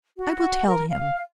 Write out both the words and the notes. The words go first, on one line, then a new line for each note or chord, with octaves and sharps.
"I will tell him."
F#4
A#4
F5